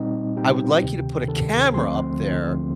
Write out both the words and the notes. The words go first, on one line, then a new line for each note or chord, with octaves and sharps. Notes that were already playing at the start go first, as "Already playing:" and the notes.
I would like you to put a camera up there,
Already playing: A#2 G3 C4 D#4 D#5
A#2 G3 C4 D#4 G4 G5
D2 C3 D#3
D2 C3 D#3 A4 A5
D2 D3 F3 A3 C4 C5 C6
D2 D3 F3 A3 C4